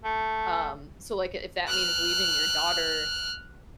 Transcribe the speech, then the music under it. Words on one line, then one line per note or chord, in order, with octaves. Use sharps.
Um, so, like, if that means leaving your daughter
A3
F6 F#6